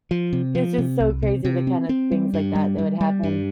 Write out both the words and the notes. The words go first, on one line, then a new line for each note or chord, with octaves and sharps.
It's just so crazy the kind of things like that, that would happen.
F3
C3
F3
C3
C2
C3
C3
C4
C4
G3
G2
G3
G3
G3
G2